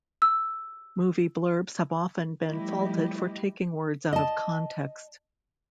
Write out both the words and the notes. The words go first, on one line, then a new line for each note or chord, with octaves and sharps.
Movie blurbs have often been faulted for taking words out of context.
E6
F3 G3 A3 E4 G4 D#5
D#5 A5